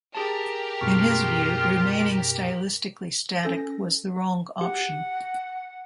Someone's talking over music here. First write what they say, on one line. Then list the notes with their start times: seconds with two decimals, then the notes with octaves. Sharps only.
In his view, remaining stylistically static was the wrong option.
0.15 G4 G#4 A#4 A5
0.81 F#2 B2 F4 C#6
3.43 C#4 A4 A#6
4.61 G4 F#5